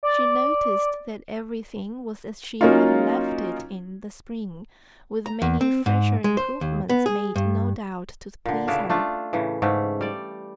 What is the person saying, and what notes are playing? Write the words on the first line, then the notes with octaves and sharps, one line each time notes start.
She noticed that everything was as she had left it in the spring, with many fresher improvements, made, no doubt, to please her.
D5
F#3 A#3 C#4 D#4 F4
A#5
E2
C4
G#2
G#3
C5
D#2
B3
G#4
G2
A#2 D3
C#3 D4 E4 F5
A3 D4 F4
A2 C#3 E3
G#2 C#3 A3
G3 D5